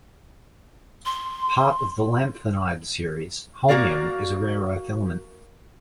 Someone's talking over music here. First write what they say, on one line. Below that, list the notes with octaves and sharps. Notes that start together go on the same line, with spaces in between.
Part of the lanthanide series, holmium is a rare earth element.
C6
A#3 F#4 A#4 D5 F5